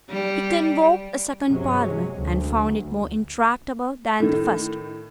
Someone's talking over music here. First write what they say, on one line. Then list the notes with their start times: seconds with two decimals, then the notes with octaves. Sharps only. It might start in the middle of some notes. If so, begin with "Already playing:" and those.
He convoked a second Parliament, and found it more intractable than the first.
0.10 G3
1.47 G2 C3 F#3 G#3 C#4
2.15 D2
4.20 A2 D#3